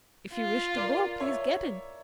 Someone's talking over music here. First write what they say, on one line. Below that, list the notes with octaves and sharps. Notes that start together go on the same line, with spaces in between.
"If you wish to go, please get in."
F4
A#4 D5
C#5 E5